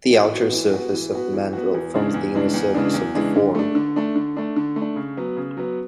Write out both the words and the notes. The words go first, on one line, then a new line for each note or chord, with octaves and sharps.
The outer surface of the mandrel forms the inner surface of the form.
E3
B3 F#4
E3
B3 F#4
E3
B3 F#4
E3
B3 F#4
E2
C#3 E3 G#3 D4
E2
C#3 E3 G#3 D4
E2
C#3 E3 G#3 D4
E2
C#3 E3 G#3 D4
D3
A3 D4
D3
A3 D4
D3
A3 D4
D3
A3
D4
C#3
F#3 B3
C#3
F#3 B3